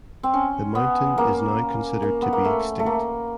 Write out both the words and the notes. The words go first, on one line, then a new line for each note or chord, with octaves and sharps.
The mountain is now considered to be extinct.
C4
C#4
B3
A#3
A#3
B3
A#3
A3
A3
A#3